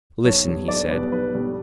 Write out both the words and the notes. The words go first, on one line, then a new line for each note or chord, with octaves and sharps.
"Listen," he said.
B1 C#5
B2 G3
B1 D5
B2 G3 B4
B1 B4
B2 G3